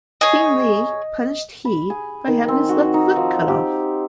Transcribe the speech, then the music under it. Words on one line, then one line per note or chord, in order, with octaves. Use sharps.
King Li punished He by having his left foot cut off.
G#4 C#5 D#5
B5
G#4
D#3
C4
F#4
D#4
F3
G4